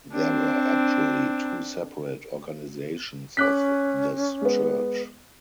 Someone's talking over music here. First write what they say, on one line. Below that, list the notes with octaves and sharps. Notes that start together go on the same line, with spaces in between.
There were actually two separate organizations of this church.
C4 D4
C#4 D6 F#6 B6
G#3 B3